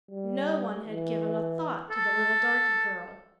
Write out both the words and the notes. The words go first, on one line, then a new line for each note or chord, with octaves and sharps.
No one had given a thought to the little darky girl.
G3
E3
A4